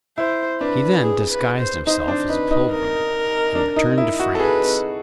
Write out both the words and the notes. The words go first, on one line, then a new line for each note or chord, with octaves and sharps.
He then disguised himself as a pilgrim, and returned to France.
E4 C5
D4 B4
G#4
B4
C5
D#4 C5
D4
D#4 B4
D#4
A#4
D4
D#4
E4
F#4
A4
G#4 B4